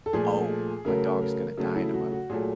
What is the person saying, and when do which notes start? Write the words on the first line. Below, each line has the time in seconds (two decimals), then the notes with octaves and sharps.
"Oh, my dog is gonna die in a month."
0.06 A4
0.13 A#2 F3 A3 G#4
0.85 C#3 F#3 A3 A#4
1.21 A#4
1.57 C#3 F#3 A3
1.76 E4
1.94 F#4
2.12 F#4
2.29 A#2 F#3 A3 G#4